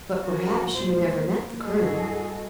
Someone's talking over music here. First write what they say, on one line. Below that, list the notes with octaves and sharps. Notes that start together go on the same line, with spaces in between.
"But, perhaps, you never met the colonel."
F3 C#4 F#4 A#4
E2 A#2 G#3 F4 C5
A#3
G2 E4 F#4 G#4 A4 D#5